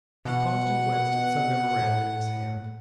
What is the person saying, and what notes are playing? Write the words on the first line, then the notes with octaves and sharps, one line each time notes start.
He paused and glanced at some memoranda in his hand.
B2 F#5
A2